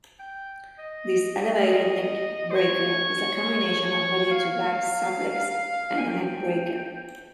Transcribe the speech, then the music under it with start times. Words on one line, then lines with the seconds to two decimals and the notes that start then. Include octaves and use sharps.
This elevated neckbreaker is a combination of belly-to-back suplex and a neckbreaker.
0.19 G5
0.78 D#5
1.57 F5
1.66 D#5
2.51 C5
2.55 C#5
4.31 F5
5.98 G#5
6.08 G5